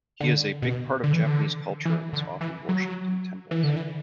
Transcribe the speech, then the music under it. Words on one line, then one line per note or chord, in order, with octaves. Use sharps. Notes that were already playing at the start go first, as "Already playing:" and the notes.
He is a big part of Japanese culture and is often worshiped in temples.
D3
B2
D3
E3
D3
E3
D3
E3
F#3
E3
D3
E3